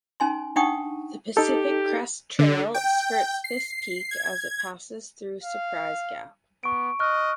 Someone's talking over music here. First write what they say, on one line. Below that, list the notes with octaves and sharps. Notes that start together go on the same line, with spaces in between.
The Pacific Crest Trail skirts this peak as it passes through Surprise Gap.
C#4 D#4 G#5 C6
D4 D#4 F#5 G5 C#6 D#6
D#4 G4 A4
D3
G5
C7
G#6
F5
B3 C#6 D7
D#5 C#6 F6 F#6